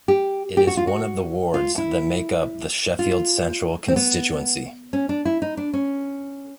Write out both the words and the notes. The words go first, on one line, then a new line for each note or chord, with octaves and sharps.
It is one of the wards that make up the Sheffield Central constituency.
G4
G4
F#4
F4
F#4
F4
E4
F4
C4
B3
C#4
D4
E4
D#4
D4
C#4